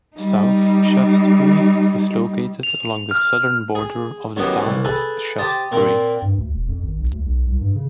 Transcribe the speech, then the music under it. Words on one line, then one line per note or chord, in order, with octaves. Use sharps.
South Shaftsbury is located along the southern border of the town of Shaftsbury.
G3 D#4
F7
F6
G#4
F#2 E3 B3 F#4 G4 D#5
C2 E3
G#4 A4 B4
G4 C5 A5 D#6
A#2 A#3 C4
G2
D2
E1
F2
G#1
B1
D2
B1
C2
G2
C#3